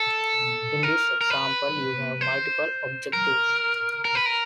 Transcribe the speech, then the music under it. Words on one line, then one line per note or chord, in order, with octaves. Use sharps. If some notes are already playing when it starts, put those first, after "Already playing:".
In this example you have multiple objectives.
Already playing: A4
A#4
A#4
B4
C5
A#4
A#4
B4
A#4